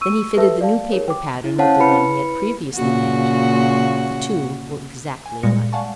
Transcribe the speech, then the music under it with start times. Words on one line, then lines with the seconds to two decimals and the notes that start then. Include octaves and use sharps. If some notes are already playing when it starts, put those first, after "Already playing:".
Then he fitted the new paper pattern with the one he had previously made--the two were exactly alike.
0.01 C#6 E6 D#7
0.36 G4 A4 B4 E5 A5 E6
0.61 D5 F5 A5
0.92 D#4 G4 G#4 A#4 C#5
1.08 G5 D6
1.44 E4
1.58 C#4 C5 C#5 F5 F#5 A5
1.79 E4 B4 B5 C#7
2.76 A#2 C#3 F#4
5.26 G#5
5.43 A#2 G3 G#3 A#6 C#7
5.73 D5 F5 F#5 G#5 A5 C#6